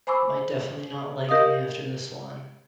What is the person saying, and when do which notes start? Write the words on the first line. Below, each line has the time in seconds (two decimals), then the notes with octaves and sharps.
Might definitely not like me after this one.
0.07 C5 G#5 B5 C#6 D6 E6
1.29 G4 A#4 D#5 F5 D#6